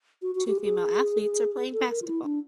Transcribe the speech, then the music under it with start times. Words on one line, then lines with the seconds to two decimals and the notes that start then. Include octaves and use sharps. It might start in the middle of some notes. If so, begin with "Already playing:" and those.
Two female athletes are playing basketball.
0.22 F#4
0.35 F#4
0.47 G4
0.61 G#4
1.73 A4
1.90 A#4
2.02 F4
2.07 E4
2.24 D4